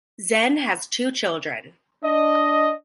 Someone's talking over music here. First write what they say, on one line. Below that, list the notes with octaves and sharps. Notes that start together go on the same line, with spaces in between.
Zen has two children.
D4 D#5